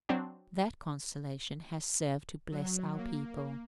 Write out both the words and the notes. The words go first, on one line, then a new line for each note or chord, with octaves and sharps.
That constellation has served to bless our people.
F#3 C4 D4 F#4
F#3
A#3